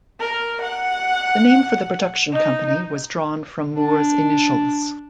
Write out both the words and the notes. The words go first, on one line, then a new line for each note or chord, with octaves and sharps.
The name for the production company was drawn from Moore's initials.
A#4
F#5
D#4
D4